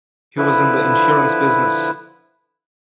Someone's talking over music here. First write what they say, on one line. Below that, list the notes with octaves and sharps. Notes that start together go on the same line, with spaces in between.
He was in the insurance business.
D3 F3 E4 B4